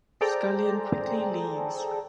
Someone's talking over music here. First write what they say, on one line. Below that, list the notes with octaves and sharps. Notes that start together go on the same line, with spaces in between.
Skullion quickly leaves.
G#4 A4 C5 D5 G5 A#5